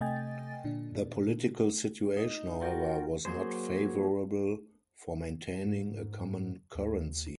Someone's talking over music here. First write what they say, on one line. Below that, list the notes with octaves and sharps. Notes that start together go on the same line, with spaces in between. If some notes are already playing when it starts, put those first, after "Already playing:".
The political situation, however, was not favorable for maintaining a common currency.
C3 A3 D#5 G5 G#5 A6
A#2 D3 D4
D#4
F4 F#4 A#4 G5
F#3 A#3 G#4 C5
G#2
D#2